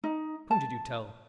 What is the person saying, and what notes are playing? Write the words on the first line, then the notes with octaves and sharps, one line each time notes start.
Whom did you tell?
D#4
A5